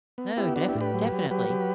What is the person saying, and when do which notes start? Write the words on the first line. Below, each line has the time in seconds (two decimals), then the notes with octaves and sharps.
No, def definitely.
0.18 B3
0.37 B3 E4 G4
0.56 D4 F#4
0.68 E4 G4
0.75 A2
0.81 G4 B4
0.94 F#3
1.12 F#3
1.31 F#3 G4 B4
1.50 F#3